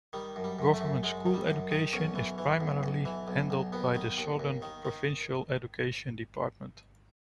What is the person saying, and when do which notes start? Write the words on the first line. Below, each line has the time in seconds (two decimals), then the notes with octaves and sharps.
Government School education is primarily handled by the Southern Provincial Education Department.
0.13 D#3 G3
0.36 F#2
0.44 G3
0.59 F#2
0.74 A3
0.81 F#2
1.03 F#2 G#3
1.26 D#3
1.34 G3
1.48 F#2
1.71 D#3
1.93 B1 C#4
2.15 E3
2.38 E3
2.60 B1
2.83 B1
3.05 E3
3.28 B1
3.50 B1
3.73 D#2 B3
3.95 D#3
4.18 D#2
4.39 D#2
4.62 D#3
4.85 D#3